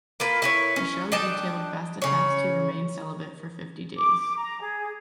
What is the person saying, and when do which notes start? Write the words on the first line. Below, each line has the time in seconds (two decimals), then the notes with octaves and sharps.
The show detailed Best's attempts to remain celibate for fifty days.
0.20 A#3 F4 B4
0.42 E4 B4 C#5
0.76 C#4
1.12 D4 D#4 G5 A5
2.02 C#3 C#5
3.98 D6
4.38 A#5
4.61 G#4